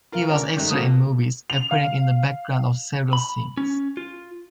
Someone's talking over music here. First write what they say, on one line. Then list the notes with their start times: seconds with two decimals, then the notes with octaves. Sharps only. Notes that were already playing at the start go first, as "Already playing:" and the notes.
He was extra in movies, appearing in the background of several scenes.
0.12 F4 A#4 F5
0.29 C#4 A#4
0.42 D5
0.57 G2 D#3 A3
0.70 B2 F3 A#3 A4 D#6
1.50 F7
1.71 F5
3.13 B5
3.57 C#4
3.97 F4